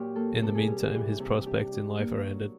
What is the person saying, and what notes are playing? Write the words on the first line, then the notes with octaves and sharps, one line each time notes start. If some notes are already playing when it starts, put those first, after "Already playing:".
In the meantime his prospects in life are ended.
Already playing: A#2 F#3 G4
A#3 A4
C3 A4
G#4
G3 G4
G#4
E3
C3
D4 G4
D4
A#3
F#3